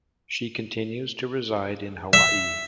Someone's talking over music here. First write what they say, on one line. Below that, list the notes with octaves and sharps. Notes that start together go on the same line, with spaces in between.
She continues to reside in Hawaii.
E5